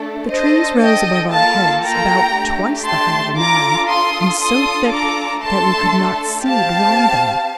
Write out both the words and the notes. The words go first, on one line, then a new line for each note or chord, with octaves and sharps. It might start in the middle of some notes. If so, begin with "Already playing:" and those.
The trees rose above our heads, about twice the height of a man, and so thick that we could not see beyond them.
Already playing: A3 D4 A4
D4 A4 C5 D#5
D#5 G5
A#3 F4 A4 F5 A5
G5 A#5
A3 D4 G4
A5 C6
D4 F4 A4 A#5 D6
C6 D#6
D4 F4 A4 C6 D#6
A#5 D6
A3 D4 A4 A5 C6
C4 G4 F5 A5